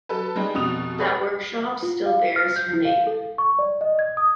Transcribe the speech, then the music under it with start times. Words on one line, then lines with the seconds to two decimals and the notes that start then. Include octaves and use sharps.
That workshop still bears her name.
0.09 F#3 A4 B4
0.36 G3 G#3 D#4
0.55 F1 B2 D#6 F7
0.98 A4 B4 C#5
1.83 F4
2.06 F5
2.36 F6
2.56 G6
2.73 E4
2.85 F5
3.07 A4
3.38 C#6
3.59 D5
3.81 D#5
3.99 G#6
4.17 D#6